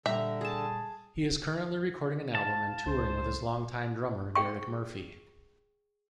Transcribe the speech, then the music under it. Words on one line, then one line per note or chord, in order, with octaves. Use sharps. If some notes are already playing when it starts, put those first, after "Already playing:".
He is currently recording an album and touring with his long-time drummer, Derek Murphy.
A#2 D3 G3 E5 G5 A#5
G#4 A5
F5 A5
C#2 C5
G#4 G5 C#6